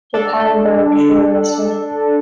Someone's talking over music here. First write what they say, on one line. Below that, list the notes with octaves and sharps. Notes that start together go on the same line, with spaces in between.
Japan burned furiously.
D4 A4